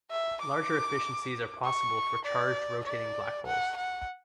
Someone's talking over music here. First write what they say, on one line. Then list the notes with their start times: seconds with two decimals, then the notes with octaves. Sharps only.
Larger efficiencies are possible for charged rotating black holes.
0.10 E5
0.42 D6
1.64 C#6
2.25 D5
2.85 D5
3.47 F#5
3.77 F#5